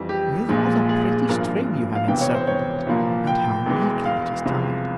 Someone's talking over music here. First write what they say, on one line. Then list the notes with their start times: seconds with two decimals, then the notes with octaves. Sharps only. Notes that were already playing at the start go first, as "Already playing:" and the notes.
'With what a pretty string you have encircled it,--and how neatly it is tied!
Already playing: F2 E3 G3
0.09 G4
0.49 A#1 A#2 F3 G#3
0.89 G#4
1.29 G#1 G2 F3 A#3 A#4
1.95 F5
2.07 E1 E2 C3 E3 G5
2.21 C#5
2.34 C5
2.47 C#5
2.87 C2 A#2 F3 A#3
3.27 G5
3.66 E1 E2 E3 G#3
4.05 F5
4.45 C2 C3 F3 G#3